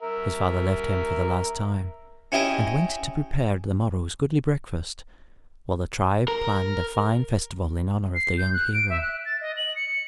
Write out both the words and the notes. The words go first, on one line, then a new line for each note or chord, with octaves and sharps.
His father left him for the last time, and went to prepare the morrow's goodly breakfast, while the tribe planned a fine festival in honor of the young hero.
A#4 E5
C#4 E4 G4 D#5
A#4
C7
G6
F#6
D7
E5
F#6
A6
D#5
F#7
C#7